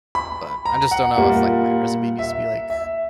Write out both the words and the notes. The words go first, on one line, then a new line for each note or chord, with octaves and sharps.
but I just don't know if, like, my resume needs to be, like, ch
B5
A#5
F#5
A#2 G3 A#3
E5
E5